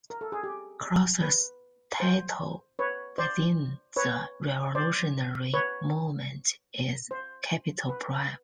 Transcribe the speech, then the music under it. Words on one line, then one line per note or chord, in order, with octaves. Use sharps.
Croser's title within the revolutionary movement is Capital Prime.
A#4
A4
G#4
G4
B4
C5
B4 C#5
C5 D5
B4 C#5
C5 D5
B4 C#5
C5
B4